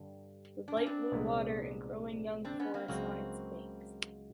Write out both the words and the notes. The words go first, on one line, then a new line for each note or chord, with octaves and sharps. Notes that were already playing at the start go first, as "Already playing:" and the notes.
With light blue water and growing young forest on its banks.
Already playing: G2 D3 G3
D4
C#4
C4 D4
C2 A#2 F3 G#3 B3
C4 D4
B3 C#4
A#3 C4
C#2 C#3 F#3 A#3 C4